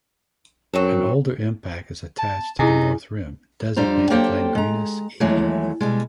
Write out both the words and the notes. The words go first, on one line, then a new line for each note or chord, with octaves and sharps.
An older impact is attached to the north rim, designated Langrenus E.
F#2 F#3 C4 A4
A5
C3 D#4 E4 G#4 G#5
F2 G3 D4 C5 A#5
F#3 A#3 G4 A4 C5 G5
G#3 A#5
D#2 E3 F#3 G#3 A3
B2 G3 G#3